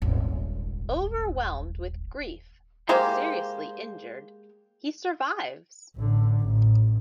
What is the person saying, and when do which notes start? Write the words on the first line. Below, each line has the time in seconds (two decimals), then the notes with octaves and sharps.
Overwhelmed with grief and seriously inured, he survives.
0.02 D#1 G#1
2.89 G#3 A#3 G4 C5
5.96 A1 D3
6.41 A1